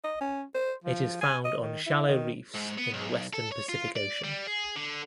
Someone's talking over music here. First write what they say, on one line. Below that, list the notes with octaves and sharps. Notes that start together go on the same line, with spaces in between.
It is found on shallow reefs in the western Pacific Ocean.
D#5
C#4
C5
F3
G#5
D#5
D#3
E4
D#3
G#2
B3
B1
A4
C#5
F4
D5
G3
G#4
D3